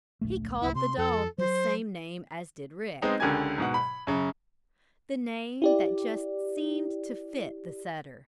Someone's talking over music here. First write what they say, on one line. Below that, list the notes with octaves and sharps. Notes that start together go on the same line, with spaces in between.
He called the dog the same name as did Rick--the name that just seemed to fit the setter.
D1 A#1 A3
D1 C#2 E4
C3 C6
F2 A4
F#3 C5
G#3 B3 C4 D#4
C#2 D3 G4 A#4 G#5 G#6
G#2 B2 F#5
B5
F#2 C#3
E4 G4 D5